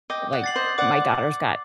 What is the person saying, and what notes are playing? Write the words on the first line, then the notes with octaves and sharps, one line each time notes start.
Like, my daughter's got
D#5 G5 D6
D5 F#5
A6 C7 F#7
C5 D#5
D5 F#5 D6